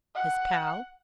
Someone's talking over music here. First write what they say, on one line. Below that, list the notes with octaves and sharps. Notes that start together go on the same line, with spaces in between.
His pal?
F#5